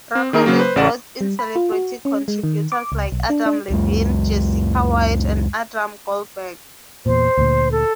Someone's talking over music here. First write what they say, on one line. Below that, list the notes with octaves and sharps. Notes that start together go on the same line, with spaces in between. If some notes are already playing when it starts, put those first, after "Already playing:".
Rakovic brought in celebrity contributors like Adam Levine, Jessica White and Adam Goldberg.
C4
D#3 A#3 G#4 A#4
C#3 F#3 A#3
B4 C5
A1 C#3 D5 F#5 E7
G3
B5
F4
F#4
C#4
G#3
D#3
D6
C#2
B1
D4
D4
C#2 F#2 G#3
E2 A#2 C5
D2 A#2
A4